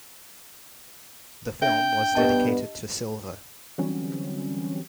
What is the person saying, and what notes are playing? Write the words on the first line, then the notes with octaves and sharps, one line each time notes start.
The film was dedicated to Silva.
D4 E5 G5
G2 B3 G4 D#5 A5
D3 E3 F#3 G3 C4 C#4